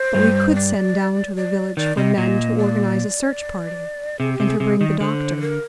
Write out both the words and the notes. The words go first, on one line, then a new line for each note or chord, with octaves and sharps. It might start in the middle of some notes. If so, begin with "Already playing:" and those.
But we could send down to the village for men to organise a search-party and to bring the doctor.
Already playing: C5
G2 G3
D5
D5
D#3 D5
C3 D#5
A#2
D5
C3 G#4
G4
C3
G#4
C3
D#3 D#5
D5
D3 C5
C5
A#4